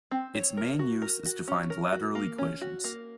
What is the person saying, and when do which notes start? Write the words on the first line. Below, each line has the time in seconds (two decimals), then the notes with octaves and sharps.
Its main use is to find lateral equations.
0.11 C4
0.35 C#5
0.57 A#4
0.79 F#4
1.02 A#4
1.26 F#4
1.48 C#4
1.70 A#4
1.92 F#4
2.15 A#3
2.38 C#4
2.61 F#4
2.84 A#3